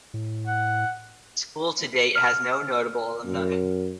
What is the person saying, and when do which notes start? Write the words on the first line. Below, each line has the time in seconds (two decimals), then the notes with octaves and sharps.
The school to date has no notable alumni.
0.14 A2
0.47 F#5
2.15 F6
3.25 F#2